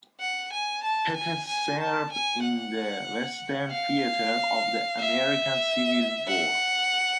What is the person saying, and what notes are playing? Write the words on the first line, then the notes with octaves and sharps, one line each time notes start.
Pettus served in the Western Theater of the American Civil War.
F#5
G#5
A5
G#5
G#5
A5
G#5
F#5
F5
E5
F#5